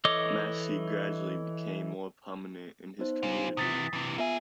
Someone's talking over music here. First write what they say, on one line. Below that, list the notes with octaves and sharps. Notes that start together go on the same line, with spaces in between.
Massey gradually became more prominent in his community.
E3 A4 C#5 D#5 D6
B3 D#4 C5
C#4 F4
C3 E3 D#6 A6 B6
C3 E3
A#3 B3 F4 G#4 E5